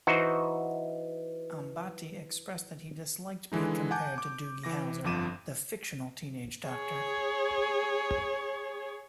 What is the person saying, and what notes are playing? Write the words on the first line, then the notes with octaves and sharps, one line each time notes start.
Ambati expressed that he disliked being compared to Doogie Howser, the fictional teenage doctor.
E3 D#4 F#4 C5
D3 E3 G#3 D#4
F#5 G#5 A5 D6 G6
D6
E3 D6 A#6
G1 F2 F3 D6 D#7 E7
G#4 C#5